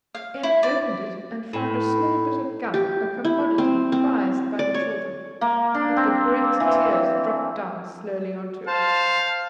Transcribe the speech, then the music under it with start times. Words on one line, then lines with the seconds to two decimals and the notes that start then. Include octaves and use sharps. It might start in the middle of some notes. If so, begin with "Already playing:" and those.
Em opened it and found a small bit of gum, a commodity prized by the children; but the great tears dropped down slowly on to it.
0.15 F5
0.43 E4
0.63 D5
1.53 A2
2.74 G4
3.25 E4
3.58 C4
3.92 C4
4.59 D5
4.74 C#5
5.41 A#3
5.74 D4
5.97 C4
6.60 E3
8.67 C5 F5 A5